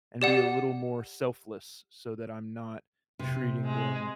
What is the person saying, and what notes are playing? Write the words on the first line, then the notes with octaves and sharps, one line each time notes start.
and be a little more selfless, so that I'm not treating them
G4 D5 F#5
C3
G#3